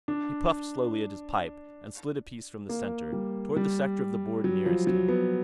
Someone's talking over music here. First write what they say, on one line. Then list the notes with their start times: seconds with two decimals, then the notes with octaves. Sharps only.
He puffed slowly at his pipe and slid a piece from the center toward the sector of the board nearest him.
0.08 D4
2.69 A#3
3.13 G3
3.56 G3
4.44 F#3
4.66 F3
4.87 F#3
5.08 B3